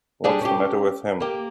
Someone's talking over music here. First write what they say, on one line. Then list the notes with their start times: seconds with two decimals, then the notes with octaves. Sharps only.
What's the matter with him.
0.24 G3 D4 G#4
0.41 C#4 G4
1.20 A#3 G4